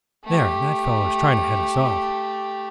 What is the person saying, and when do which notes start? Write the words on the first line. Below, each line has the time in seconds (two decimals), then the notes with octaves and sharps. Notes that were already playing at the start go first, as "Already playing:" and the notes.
"There, that fellow is trying to head us off."
0.24 A3 G4